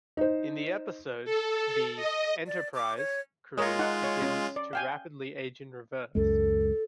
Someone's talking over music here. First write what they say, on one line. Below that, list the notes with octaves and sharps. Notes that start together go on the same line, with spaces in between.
In the episode, the "Enterprise" crew begins to rapidly age in reverse.
D#4 C5
A4
D#5
D5
D6
C#5
G#3 F4 A#4 C#5 D#5
D#4 F#5
C#5
C#4
D5
F5 G5 G#5
C#2 F#2 G#3 A4